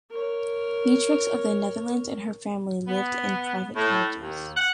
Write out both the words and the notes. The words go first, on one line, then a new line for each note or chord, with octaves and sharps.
Beatrix of the Netherlands and her family lived in private cottages.
A#4 C#5
B3
A2
D#2
F#5